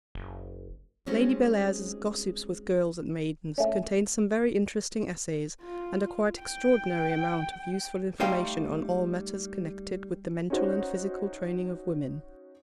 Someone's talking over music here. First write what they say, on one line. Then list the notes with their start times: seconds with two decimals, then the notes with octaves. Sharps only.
Lady Bellairs's Gossips with Girls and Maidens contains some very interesting essays, and a quite extraordinary amount of useful information on all matters connected with the mental and physical training of women.
0.15 F#1
1.06 G3 G#3 C4 C#4 D#4 F#4
3.58 A3 C#4
5.62 F4
6.42 G5
8.20 G3 A3 D#4 F5 G5 C6
10.50 C#4 D#4 F#4 C5